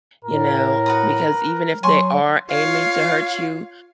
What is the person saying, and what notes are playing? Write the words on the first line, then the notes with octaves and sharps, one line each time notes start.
you know, because even if they are aiming to hurt you,
A2 A#4
F#4 B4 D#6
F#3 G#5 C6 C#6
F4 C#5 F5